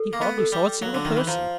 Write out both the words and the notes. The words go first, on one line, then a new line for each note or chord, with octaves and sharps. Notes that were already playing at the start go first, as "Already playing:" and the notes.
He hardly saw a single person.
Already playing: A4
A#3
B3
A4
G3
F#3 F5
D3
D#3
E3
F3 A#5